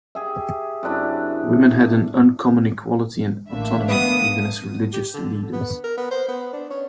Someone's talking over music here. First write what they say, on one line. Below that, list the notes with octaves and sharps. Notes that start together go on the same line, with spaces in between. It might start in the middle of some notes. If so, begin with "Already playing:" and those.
Women had an uncommon equality and autonomy, even as religious leaders.
G4 G#4 E5
F#2 C3 D4 E4
A1 D3 A3 A#3 D4 E5
B3 F5 D#6
G4
D3
B3
A#4
B3
C5
B3
D4
C#4